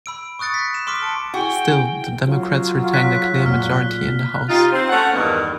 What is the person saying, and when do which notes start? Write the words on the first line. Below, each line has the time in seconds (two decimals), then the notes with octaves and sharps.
Still, the Democrats retained a clear majority in the House.
0.06 B5 E6 D7
0.39 C#6 D#6 F#6 A6 C#7
0.54 B6
0.74 D7 E7
0.87 C6 D6 F6 B6 D7
1.02 A5 C#7
1.34 E4 F#4 G#4 G5 G#5
2.26 G#2 F#3 F4
2.93 F#6 B6
3.46 A#2 F6
4.49 C3 D#4 F4
4.72 C4
4.90 A3 C#4 F#5
5.14 E2 G2 D#3 A#3 B3